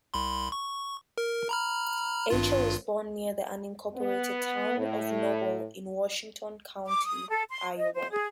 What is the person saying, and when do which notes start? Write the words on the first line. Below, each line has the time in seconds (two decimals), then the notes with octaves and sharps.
Eicher was born near the unincorporated town of Noble in Washington County, Iowa.
0.14 C2 B5 C6
0.52 C#6
1.18 A#4
1.49 A#5 B5 F6
2.30 G#1 G2 F4
3.94 B3
4.76 A2
6.86 D6
7.05 D#6
7.29 A4
7.49 C6
7.76 D#5
7.94 C5
8.11 G#4